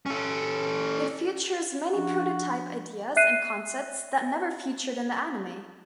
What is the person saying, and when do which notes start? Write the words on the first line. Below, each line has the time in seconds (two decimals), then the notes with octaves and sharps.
It features many prototype ideas and concepts that never featured in the anime.
0.06 C#4 A4
1.92 F3 C#4 D4 F#4
3.16 E5 F#6 C7 D#7